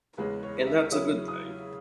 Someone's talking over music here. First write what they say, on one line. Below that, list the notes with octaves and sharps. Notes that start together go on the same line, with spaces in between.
And that's a good thing.
E2 C#3 G#3 C#4 B4
C#5
E5
C#3 F#3 C#4 E4 D#6
D#6